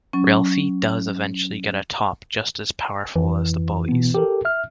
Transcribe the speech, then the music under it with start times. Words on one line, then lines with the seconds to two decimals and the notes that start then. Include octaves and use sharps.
Ralphie does eventually get a top just as powerful as the bully's.
0.13 F#3 C#4
3.16 F2 E3
3.89 B2 B3
4.14 G4 A4 A#4
4.45 E5 F6